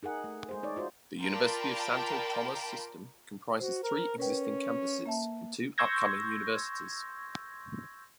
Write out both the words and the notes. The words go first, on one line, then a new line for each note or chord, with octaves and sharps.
The University of Santo Tomas System comprises three existing campuses and two upcoming universities.
D#4 G#4 A#4 F#5
A3
G#3 G#4 C5
D#4 C#5 D5
F4 F#4 C5
F4 A#4 D5 G5 A5 B5
F#4 C5
A#4
C#4 A#4 B4 G5
A#3 E5 A5
C6 C#6 E6 G6 G#6 A#6